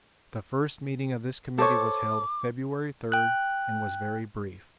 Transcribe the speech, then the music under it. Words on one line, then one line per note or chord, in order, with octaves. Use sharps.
The first meeting of this committee was held February third and was very brief.
A4 C5 C#5 D6
G5 F#6